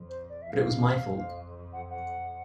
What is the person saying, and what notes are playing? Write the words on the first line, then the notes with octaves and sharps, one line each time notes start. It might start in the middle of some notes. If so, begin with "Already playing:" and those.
But it was my fault.
Already playing: F2
C5
D5
E5
E2 F5
F2
F#5
F#5